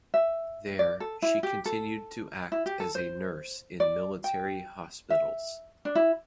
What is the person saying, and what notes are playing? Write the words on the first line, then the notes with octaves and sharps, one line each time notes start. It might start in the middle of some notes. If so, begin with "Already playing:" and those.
There, she continued to act as a nurse in military hospitals.
E5
D5
A4
E4
G4
A4
E4
G4
A4
C5
D5
G5
E5
D4
E4